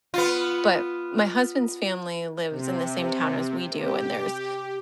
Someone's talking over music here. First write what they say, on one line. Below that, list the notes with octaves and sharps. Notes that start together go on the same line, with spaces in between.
but my husband's family lives in the same town as we do, and there's
B3 F4
C3
G4